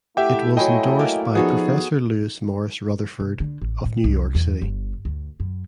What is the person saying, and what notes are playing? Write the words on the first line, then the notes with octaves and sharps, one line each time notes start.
It was endorsed by professor Lewis Morris Rutherfurd of New York City.
A3 E4 G4 E5 F#5 G5 D6
F#3 D#5 G5 G#5 B5 C6
A#3 D5
F3 B3 D#4 F#4 G#4 A4
C3
D3
A1
A2
C2
E2
G1
D2
F#2